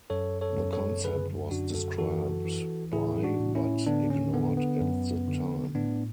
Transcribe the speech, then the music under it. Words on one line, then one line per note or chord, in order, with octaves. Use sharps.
The concept was described by but ignored at the time.
F#2 A4 C#5
A4 C#5
F#2
A4 C#5
D3 G#4 B4
F#2 D4 F#4
F#4 A4
E3 F#4 A4
E3
A2 E4 G#4
D4 F#4
A2
C#4 E4
D3 B3 D4
C#4
D3 B3
B3
F#2
D3
A2 B3 D4